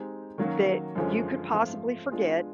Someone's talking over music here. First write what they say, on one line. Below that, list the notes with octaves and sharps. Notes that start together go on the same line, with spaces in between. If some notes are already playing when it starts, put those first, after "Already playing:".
that you could possibly forget,
Already playing: G#3 C4 D#4 G4
D#3 F#3 A#3 C#4 F#4
F#2 D3 F3 G#3 C#4
G#2 F3 A3 C4 F4
G#3 B3 D4 F4 G#4